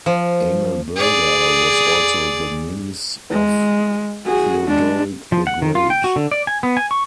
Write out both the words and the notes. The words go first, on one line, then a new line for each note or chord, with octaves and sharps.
Amalberga was also the niece of Theodoric the Great.
F3
G#4 D5
G#3
F#4 G#4
G#3 D4
F3
F#5
D#3
F4
G5
F#4
D3
D5
G#5
B3
G#5
C#6